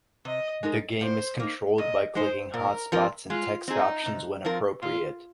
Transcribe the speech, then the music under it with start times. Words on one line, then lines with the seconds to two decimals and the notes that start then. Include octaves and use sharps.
The game is controlled by clicking hotspots and text options when appropriate.
0.25 C3 D#5
0.63 G#3 D#4 A#4
1.01 A#2 C5
1.40 A#3 D#4
1.78 A#2 D#5
2.15 G#3 D#4 G#4 C5
2.54 A#2 A#4
2.92 F3 C4 F4 A#4
3.30 G#3 F4
3.68 C4 D#4 G#4
4.06 C3
4.45 F3 C4 F4 A#4
4.82 A#2 F4